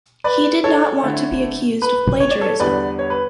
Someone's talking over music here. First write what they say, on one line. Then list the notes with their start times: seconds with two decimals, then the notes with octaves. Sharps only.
He did not want to be accused of plagiarism.
0.24 B4 D5
0.64 A4 C#5
1.02 D3 A3 E4
1.82 B4
2.20 C#5
2.31 D5
2.41 A4 C#5
2.60 E2 D3 G3 B3 B4 D5
2.99 C#5
3.10 B4